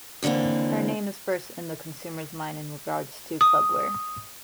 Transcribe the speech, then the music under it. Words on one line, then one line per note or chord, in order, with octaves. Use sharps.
Her name is first in the consumers mind in regards to club wear.
D#2 D3 E3 A#3 C4
D#6